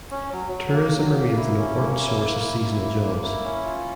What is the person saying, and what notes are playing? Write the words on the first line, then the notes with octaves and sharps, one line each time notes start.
Tourism remains an important source of seasonal jobs.
C#4
F#3
F#3
A#3
F#3
A#3
E4
C#4
A#3
E4
A#3
E4
E4
A#3
A#3
E4
C#4
F4